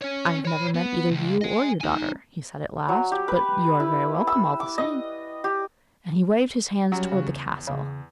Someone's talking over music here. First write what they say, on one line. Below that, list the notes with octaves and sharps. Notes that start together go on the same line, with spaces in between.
'I have never met either you or your daughter,' he said at last; 'but you are very welcome all the same.' And he waved his hand towards the castle.
C#4 C#5
C#5 B5
B3
C#2
D#5 G#5
D#4 G#5
F#3
G4
B4
E4
E6
D6
D#5
G4
F#3 G3 C#4 F#4
C#3
E2
C#3